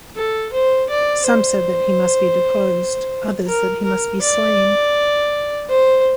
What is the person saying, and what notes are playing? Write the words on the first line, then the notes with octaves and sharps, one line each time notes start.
Some said that he must be deposed, others that he must be slain.
A4
C5
D5
C5
A#4
A#4
D5
C5